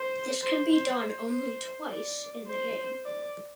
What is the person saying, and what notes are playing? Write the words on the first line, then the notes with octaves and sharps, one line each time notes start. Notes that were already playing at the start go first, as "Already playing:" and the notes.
This can be done only twice in the game.
Already playing: C5
C5
C5
C5
D5
C5
D5